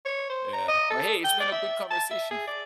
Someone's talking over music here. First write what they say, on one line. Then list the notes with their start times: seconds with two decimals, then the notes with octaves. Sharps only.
Yeah. But hey, it's been a good conversation.
0.06 C#5
0.30 C5
0.53 A#5
0.69 D#5
0.91 A4
1.24 G5
1.40 D5
1.52 E5
1.91 A5
2.11 E5
2.31 G#4
2.47 D5